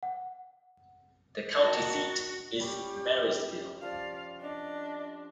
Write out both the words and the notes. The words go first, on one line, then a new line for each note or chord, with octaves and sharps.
The county seat is Marysville.
F#5
D#3 F#4 A5
G3 C#4 G4
F3 D5 F5
D4 D#5